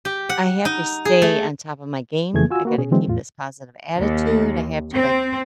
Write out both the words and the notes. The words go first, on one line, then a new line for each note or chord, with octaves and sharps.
I have to stay on top of my game, I gotta keep this positive attitude, I have to, like,
G4
F#5
D#4
G#4
A3
F2 C#3 E3 A3 G#4 G#6
F4 F#4 G#5 E6
A#3 F#4 B4
B2 C#4 G#4
D3 E3 F#3 G#3 C4
E2 A2 F4
D#2
C4